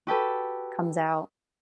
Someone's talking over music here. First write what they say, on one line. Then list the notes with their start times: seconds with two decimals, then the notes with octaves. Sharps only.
comes out.
0.07 F#4 G4 A4 B4